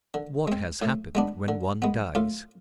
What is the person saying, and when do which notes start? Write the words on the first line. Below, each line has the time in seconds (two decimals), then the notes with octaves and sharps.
What has happened when one dies?
0.14 D3
0.48 G#3 C4
0.82 A2
1.15 G#3 B3 D4
1.48 D3
1.82 G#3 B3
2.15 A2 F4